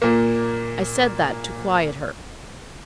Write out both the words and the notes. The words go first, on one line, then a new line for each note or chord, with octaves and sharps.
I said that to quiet her.'
A#2 A#3